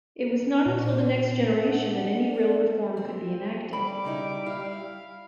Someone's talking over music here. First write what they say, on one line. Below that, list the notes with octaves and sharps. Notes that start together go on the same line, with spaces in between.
It was not until the next generation that any real reform could be enacted.
A#2
C5
C4
D4 F#5
D5
C4
G3 B5 D6
C#3 D#4 E4
E4 F5